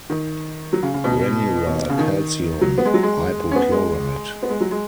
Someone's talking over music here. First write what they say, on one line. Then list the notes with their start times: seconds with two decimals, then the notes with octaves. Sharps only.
Granular calcium hypochlorite.
0.10 D#3
0.73 F#3
0.83 C#3
0.94 C#3
1.04 B2
1.67 B2
1.89 C#3
1.98 D#3
2.61 F#3
2.78 B3
2.85 G#3
2.94 F#3
3.03 G#3
3.51 C#4
3.56 B3
3.72 G#3
4.43 B3
4.50 G#3
4.61 F#3
4.71 G#3